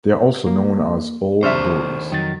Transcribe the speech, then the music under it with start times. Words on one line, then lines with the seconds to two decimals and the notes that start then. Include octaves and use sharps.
They are also known as 'Old Boys'.
0.46 A#3
1.43 D#2 C3 D4 C5 E5 C#6 F6
2.12 F2 D#3 F#3 A6